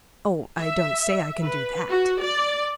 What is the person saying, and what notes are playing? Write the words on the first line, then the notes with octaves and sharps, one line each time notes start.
"Oh, I don't say I can do that."
E5
B4
F#4
D5